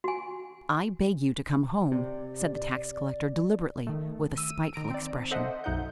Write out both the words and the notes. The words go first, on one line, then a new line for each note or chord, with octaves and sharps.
"I beg you to come home!" said the tax-collector deliberately, with a spiteful expression.
F#4 G#5
C3 D5
D#3 A3
E6 D#7
D#3 A#5 D7
C4 D5
A4 C5 D#5 E5 F#5
B1 F#2 D#4 F#5 G6